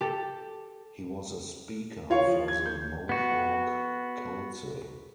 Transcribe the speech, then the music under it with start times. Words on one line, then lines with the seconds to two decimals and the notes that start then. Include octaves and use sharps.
He was a Speaker for the Mohawk Council.
0.01 G4 A4
2.10 F4 C#5 F5
2.27 F3
2.48 G#6
2.66 G6
3.09 B3 F#4